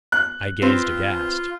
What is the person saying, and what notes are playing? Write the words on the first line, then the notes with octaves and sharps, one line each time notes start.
I gazed aghast.
F#6
C4 F4 B4